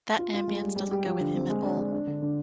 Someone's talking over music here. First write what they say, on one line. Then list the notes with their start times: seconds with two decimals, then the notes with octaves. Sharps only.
That ambiance doesn't go with him at all.
0.19 F4
0.34 F4
0.48 G#3
0.62 G3
0.76 G3
0.91 G4
1.06 F3
1.20 D3
1.34 C4
1.49 G#3
1.63 D4
1.77 G#3
1.92 D4
2.07 D3
2.22 D3